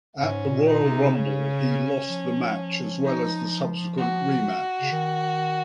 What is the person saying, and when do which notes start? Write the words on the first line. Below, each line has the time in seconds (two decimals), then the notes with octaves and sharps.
At the Royal Rumble, he lost the match, as well as a subsequent rematch.
0.20 G#2 C#4
0.52 A#2
0.67 D#4
0.83 C3
1.15 C#3 C#4
2.09 F3
3.03 D#4
3.97 F#4
4.82 C#3
4.92 D#3